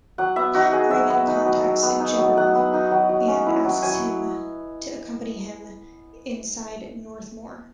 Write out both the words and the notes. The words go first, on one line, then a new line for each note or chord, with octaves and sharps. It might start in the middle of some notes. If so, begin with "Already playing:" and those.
Craven contacts Jedburgh and asks him to accompany him inside Northmoor.
F#3 F#5
B3 E5
D#4 F#4
F#3 G#4
F#3 E5
B3
D#4
F#3
F#3
B3
D#4
F#3
F#3 F#5
B3
D#4
F#3
F#3
C#4
E4
F#3
F#3 G#5